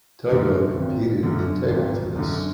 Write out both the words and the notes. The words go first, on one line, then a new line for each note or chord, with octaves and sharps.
Togo competed in table tennis.
F#2 D3
G#1
F#2 D3
G#1
F#2 D3